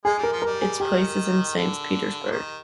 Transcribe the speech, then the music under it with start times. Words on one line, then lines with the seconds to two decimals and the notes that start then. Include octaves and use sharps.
Its place is in Saint Petersburg.
0.05 G#3 G#4
0.18 G3
0.23 A#4
0.32 F3
0.42 G3 A#4
0.62 G#4
0.80 D#3 G4
1.56 D3
2.31 D#3